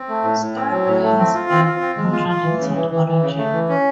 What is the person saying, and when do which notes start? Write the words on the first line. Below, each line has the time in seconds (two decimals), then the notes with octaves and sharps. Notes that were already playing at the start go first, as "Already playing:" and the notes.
Scrappy has a contradicted origin.
Already playing: C4
0.08 A3
0.24 A2
0.40 A2
0.55 C4
0.71 F#3
0.87 A2
1.02 A3
1.18 C4
1.34 F4
1.50 C4
1.65 F4
1.81 C4
1.96 G#3
2.12 F4
2.28 F4
2.43 E3
2.59 C#3
2.75 E3
2.90 E3
3.06 E3
3.22 C#3
3.38 A3
3.53 E3
3.69 C#4